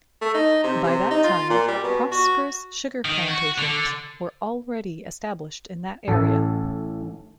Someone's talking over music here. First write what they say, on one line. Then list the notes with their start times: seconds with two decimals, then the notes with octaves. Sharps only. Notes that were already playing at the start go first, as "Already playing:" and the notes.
By that time, prosperous sugar plantations were already established in that area.
0.21 A3
0.34 D#4
0.64 C3
0.83 C3
1.11 D#4
1.24 F4
1.50 A#2
1.68 G3
1.83 B2
2.11 F#4
3.05 D#3
3.28 F#4
3.58 D3
6.08 A1 A2 A4